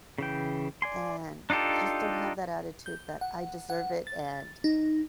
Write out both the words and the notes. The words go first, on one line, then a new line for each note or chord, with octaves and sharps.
and just don't have that attitude that, "I deserve it, and
C#3 E3 G5
D5 G#5 C6
D4 D#4 F4 G4 A4
G6
F#5
F#5
A6
D#4